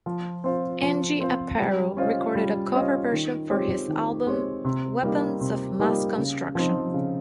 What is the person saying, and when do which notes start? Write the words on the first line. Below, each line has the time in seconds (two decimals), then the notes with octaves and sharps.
Angie Aparo recorded a cover version for his album "Weapons of Mass Construction".
0.06 F3
0.44 C4 F4 C5
0.82 F3
1.20 C4 F4 C5
1.59 G3
1.97 C#4 F4 C5 D#5
2.35 G3
2.73 C#4 F4 C5 D#5
3.12 D#3
3.50 G#3 C4 G4 C#5
3.88 D#3
4.27 G#3 C4 G4 C#5
4.65 C3
5.03 G3 A#3 D#4 G4
5.41 C3
5.80 G3 A#3 D#4 G4
6.18 C#3
6.55 F3 C4 D#4
6.94 C#3